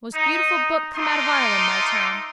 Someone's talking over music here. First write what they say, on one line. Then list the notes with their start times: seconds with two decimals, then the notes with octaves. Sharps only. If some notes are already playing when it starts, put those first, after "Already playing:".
Most beautiful book come out of Ireland my time.
0.14 D#4
0.96 A3 D#4 F4 C6 D6